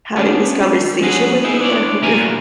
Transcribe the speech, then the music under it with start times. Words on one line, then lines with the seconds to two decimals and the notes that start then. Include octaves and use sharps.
having this conversation with me. I hope your h
0.16 D2 B3 C#4 D4
1.02 F3 C#4 F#4 G#4 B4
1.44 B3 D#4 E4 G#4
1.61 D4 E4 C#5 D5
2.01 D2 A#2 F#3 E4 A#4 G#5